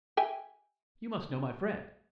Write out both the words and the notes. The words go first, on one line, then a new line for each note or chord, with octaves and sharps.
You must know my friends....
E5 G5 G#5